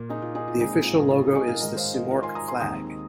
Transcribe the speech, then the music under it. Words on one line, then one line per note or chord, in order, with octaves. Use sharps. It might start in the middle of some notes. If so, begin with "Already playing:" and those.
The official logo is the Simorq flag.
Already playing: A#2 A#3
D#4 G#4
F4
D#4 G#4
F4
A#2 G#3 C4 D#4 G#4
F4
F4
D#4 G#4
F4 A#4
G#2 D#3 G#3 A#4 D#5
C5 F5
A#4 D#5
F4 A#4
G#5 C6
A#5 D#6
G#5 C6
D#2 D#3 G#3 C4 A#5 D#6